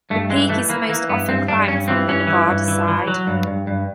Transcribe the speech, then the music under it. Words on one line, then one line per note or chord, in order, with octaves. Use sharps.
This peak is most often climbed from the Nevada side.
G2 A3
E3 G#3
E3 A3
E3 A#3
E3 A#3
G2 B3
G2 C4
G2 D4
G2 C#4
E3 C4
G2 C#4
E3
G2
E3
E3
F#3
G2
G2
G2